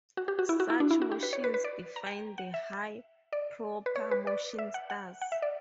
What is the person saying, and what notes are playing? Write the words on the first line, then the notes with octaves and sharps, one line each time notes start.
Such motions define the "high-proper-motion stars".
F#4
G4
F#4
E4
F#4
E4
D4
E4
F#4
G4
B4
C#5
B4
B4
D5
A#5
G5
F#5
E5
D5
B4
C#5
B4
D5
E5
F#5
F#5
F#5
E5
D5